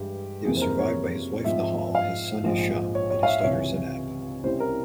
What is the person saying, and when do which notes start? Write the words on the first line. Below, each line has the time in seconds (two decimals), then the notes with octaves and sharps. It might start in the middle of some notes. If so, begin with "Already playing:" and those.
He was survived by his wife, Nehal, his son, Hisham and his daughter, Zeinab.
Already playing: G2 E3 G#3 G4
0.45 F2 C3 E3 A#3 G#4
0.57 C5
0.62 A#4
0.79 C#5
1.45 G#2 F3 C4 E5
1.95 F5
2.44 A#1 G#2 F3
2.95 C#5
3.10 C#5
3.23 F5
3.28 E5
3.40 E5
3.44 C#2 C3 E3 C#5
4.44 C2 C3 G3 C#4 E4 C5
4.60 A#4